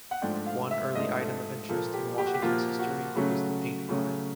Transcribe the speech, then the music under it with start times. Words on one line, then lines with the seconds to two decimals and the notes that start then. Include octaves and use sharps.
One early item of interest in Washington's history was the "paint mine".
0.11 F#5
0.22 G#2 F3 A3 D4 G5
0.46 F5
0.71 E5
0.95 G#2 F3 A3 D4 D#5
1.20 A4
1.69 A#2 F3 A#3 A4
1.93 G4
2.18 G4
2.26 F#4
2.34 G4
2.42 A#2 F3 A#3 F4
2.79 F#4
3.16 C#3 F#3 A3 C#4
3.88 C#3 F#3 A3 C#4